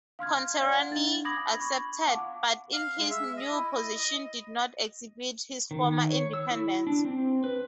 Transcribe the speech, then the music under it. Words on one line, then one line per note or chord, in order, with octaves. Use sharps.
Contarini accepted, but in his new position did not exhibit his former independence.
F5 C6 F6 G#6
D5 F5 F#5
D4 A6
B5 D6 D#6 G#6 A#6 F#7
B5 C#6
F5 F#5 A5 D6
F5
G#3
E5
D#5
E4
D#5
D#5
D#3
C#5
E6
E4
D4
C4
B4